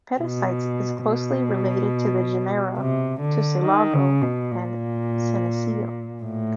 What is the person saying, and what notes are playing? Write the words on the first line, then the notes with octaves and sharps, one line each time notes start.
"Petasites" is closely related to the genera "Tussilago" and "Senecio".
B2
B2
C3
D3
D#3
C#3
B2
A#2
A2